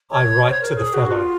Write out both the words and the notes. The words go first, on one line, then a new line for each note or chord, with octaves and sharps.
I write to the fellow.
C#5
C5
A#4
G#4
F#4
F4